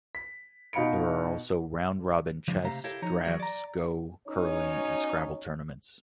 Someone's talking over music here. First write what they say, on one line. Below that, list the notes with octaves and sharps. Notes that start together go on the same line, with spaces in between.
There are also round-robin chess, draughts, go, curling and Scrabble tournaments.
B6
B2 D#4 F5 B5 C#7 D7
C#3 F3 G#3 D4
C3 A3 G4 F5 A#5
E4 G4 A4 A#4 C#5 F5
F3 D#4 C#5 A#5
E3 F#3 G3 F#4 G#4 A#4
D5 A#5
B2 C#4 D#4 C#5